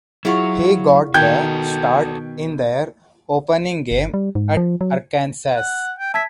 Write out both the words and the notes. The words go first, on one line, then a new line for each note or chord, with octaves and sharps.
He got the start in their opening game at Arkansas.
F#3 E4 F4 G#4 F5 F#5 C#6
B2 D#3 B3 F#4 A4 G5 G6 G#6
G1
G3
G#2
F3
F#3
F#5
G5
E5 A5 G#6 B6